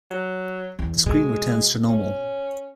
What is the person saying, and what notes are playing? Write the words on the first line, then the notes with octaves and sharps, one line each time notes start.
The screen returns to normal.
F#3
E2
B2 G#3
C#4